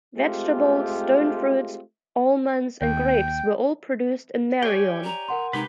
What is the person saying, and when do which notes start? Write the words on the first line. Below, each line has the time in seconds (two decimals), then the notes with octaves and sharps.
Vegetables, stone fruits, almonds and grapes were all produced in Marion.
0.17 G#3 A3 C4 F4 G4
2.82 D#2 G5
4.63 G4 C#5 D5 G5 G#5
5.04 A#5
5.28 A#4 F#5 C6
5.53 C3 G#3 D#4 G4 B4